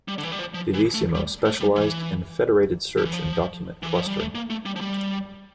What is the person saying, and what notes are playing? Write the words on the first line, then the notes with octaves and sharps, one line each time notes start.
Vivisimo specialized in federated search and document clustering.
G3
D3
E3
G3
F3
F3
E3
A3
G3
A3
G3
E3
F3
E3
F3
E3
F3
G3
A3
A#3
A3
G3
F3
G3